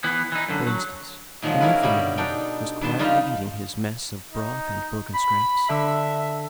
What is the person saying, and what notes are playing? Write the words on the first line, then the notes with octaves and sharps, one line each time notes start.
For instance, a Newfoundland dog was quietly eating his mess of broth and broken scraps.
E3 B3
E3 D#4
F#2 D3
F#3
A#2 D#3 F3 F#3 G#3
A#3 C#4 E4 G#4 A#4 B4
B2 D3 G3 C#4 G4 A#4
D4 D#4 A4 G5
G2 D#3 B4 A5 C6
G3 D#4 F4 B4 C5 F5
D#4
B5
D3 E5 E6